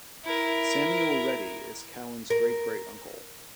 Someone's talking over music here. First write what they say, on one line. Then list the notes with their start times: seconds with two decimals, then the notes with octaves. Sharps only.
Samuel Rettie is Cowan's great-great uncle.
0.25 E4 A#4
2.30 A#4